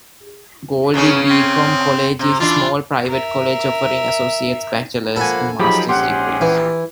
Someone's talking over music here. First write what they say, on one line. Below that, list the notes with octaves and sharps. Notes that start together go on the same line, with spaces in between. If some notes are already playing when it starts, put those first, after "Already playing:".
Goldey-Beacom College is a small private college offering associates, bachelors, and master's degrees.
E2 C#3 C#4
C4
C3
E3 D4 F4
A#4 E5
F3 A#3 A4 F#5 G#5 B5
F3 F#3 D#4 G4 G#4 B5
A#1 G#2 C#4 G4 G#4 F#5 C6
E3